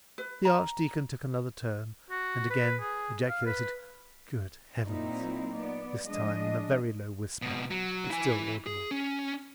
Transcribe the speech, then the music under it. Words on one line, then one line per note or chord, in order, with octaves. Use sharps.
The archdeacon took another turn, and again ejaculated, "Good heavens!" this time in a very low whisper, but still audible.
B4
A#5
F#4
B4
G#4
F5
B4
A#2 F#3 C4 D#4 E4
B3 D5
F3 G#3 D4 D#5
C#2 B2
F#3
E4 G#5
G#4
C#4